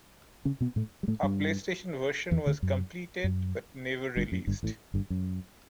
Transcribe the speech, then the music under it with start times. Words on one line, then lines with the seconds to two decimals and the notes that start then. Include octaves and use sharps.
A PlayStation version was completed, but never released.
0.45 C#3 C#4
0.61 B2 B3
0.76 A2 A3
1.03 G3
1.08 A2 A3
1.23 G2 G3
2.31 E2 E3
2.46 D2 D3
2.63 F#2
3.24 F#2
4.17 G1 G2
4.32 F#2
4.47 G1 G2
4.63 A1 A2
4.94 G1 G2
5.10 F#2